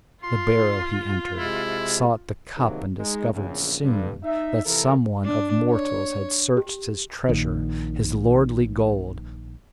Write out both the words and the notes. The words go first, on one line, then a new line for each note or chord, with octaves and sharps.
The barrow he entered, sought the cup, and discovered soon that some one of mortals had searched his treasure, his lordly gold.
F4 C6
C3 G#3 E4
C3 D#3 F3 F#3 G#3 A#3
G#3 D#4
A#1 E2 C#3
G2 D3
D#4 E5
C3 E3 F3 E4 A4 A#4
D4
C#5
G4
A#1 A#2 D#3